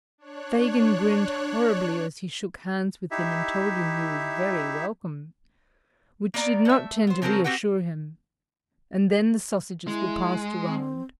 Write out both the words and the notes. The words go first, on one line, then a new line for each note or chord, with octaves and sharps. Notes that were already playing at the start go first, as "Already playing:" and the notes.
Fagin grinned horribly as he shook hands with him and told him he was very welcome, which did not tend to reassure him, and then the sausages were passed around.
D4 C#5 F#6
D#4 E4 G4 E5
A#3 B3 D5 A#5
A3 E5
B3 C5
C#3 F3 F#3 C4 C#4 A#4
C4 F#4 G4 B4 F#5
G#3 E4
C4